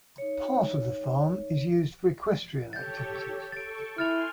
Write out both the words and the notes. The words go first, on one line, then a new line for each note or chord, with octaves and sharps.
Part of the farm is used for equestrian activities.
D#4 C#5
G4 A4 C#5 G6 A6
A4 C#6 A6 D7
E4 G#5 C6 F6 A6 F7